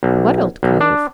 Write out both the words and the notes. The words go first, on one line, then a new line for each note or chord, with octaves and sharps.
"What old cove?"
B1
B1
D4